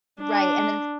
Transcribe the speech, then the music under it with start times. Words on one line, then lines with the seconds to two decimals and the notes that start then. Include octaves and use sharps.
Right, and then s
0.22 D4